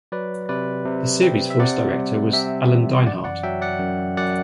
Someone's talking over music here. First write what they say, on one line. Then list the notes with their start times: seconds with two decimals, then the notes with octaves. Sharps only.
The series' voice director was Alan Dinehart.
0.12 F#3 B4 D5
0.49 C3 B4 D5
0.85 C3
1.23 C4
1.50 E5
1.59 C3 D5 F#5
1.96 G3
2.33 C3 E5 G5
2.70 E3
3.06 F#2 D5 F#5
3.24 D5 F#5
3.43 F#3 E5 G5
3.62 D5 F#5
3.80 F#2
4.17 F#2 D5 F#5